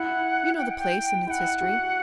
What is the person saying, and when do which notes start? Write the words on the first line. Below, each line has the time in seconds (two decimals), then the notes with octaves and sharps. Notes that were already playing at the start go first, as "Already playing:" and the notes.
You know the place and its history.
Already playing: E4 F#5
0.58 G5
0.79 G5
1.26 E4 F#5 G5
1.61 F#4